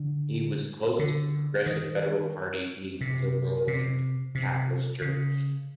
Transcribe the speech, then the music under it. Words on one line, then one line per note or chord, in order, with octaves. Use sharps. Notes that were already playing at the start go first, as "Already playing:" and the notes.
He was close to the Progressive Federal Party being a liberal and capitalist journalist.
Already playing: D3
D3
D#3
C3
C3
C3
C#3